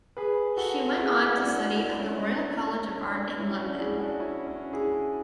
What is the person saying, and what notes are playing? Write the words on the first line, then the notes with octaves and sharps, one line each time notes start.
She went on to study at the Royal College of Art in London.
G#4 B4
F#4 A4
E4 G#4
D4 F#4
E4
D4
C#4 E4
D4
C#4
D4
C#4 E4
D4 F#4
E4 G#4
D4 F#4
C#4 E4
C#4
E4 G#4